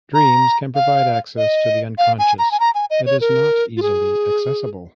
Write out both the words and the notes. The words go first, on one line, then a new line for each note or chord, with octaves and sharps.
Dreams can provide access to the unconscious that is not easily accessible.
A#5
F5
D#5
F5
G#5
A#5
G#5
A#5
G#5
D#5
C#5
A#4
F4
G#4